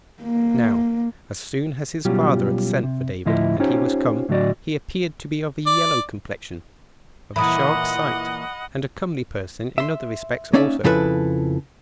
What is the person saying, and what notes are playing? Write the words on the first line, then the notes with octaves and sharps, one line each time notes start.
Now, as soon as his father had sent for David, and he was come, he appeared to be of a yellow complexion, of a sharp sight, and a comely person in other respects also.
A#3
B2 F#3 G3 C#4 F4 G4
C3
D2 A2 F3 E4 D#5 C6
C#4 D#4 F4 G4 C5 C#5
A2 D3 F#3 F#4 D5 D#5
D5
A#2 E3 D#5 F#5 B5 D#6
E5 C6
A#3 C#4 D#4 D5 E5
F2 C#3 F3 E4 A4 B4